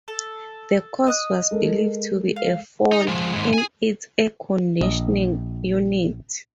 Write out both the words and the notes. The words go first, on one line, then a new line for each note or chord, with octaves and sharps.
The cause was believed to be a fault in its air conditioning unit.
A4
D#5 D#6 F#6
G#3 A4 A#4
F5
D#4
F3 G#3
D#2 G#2
G#4 G#5
A#1 D#5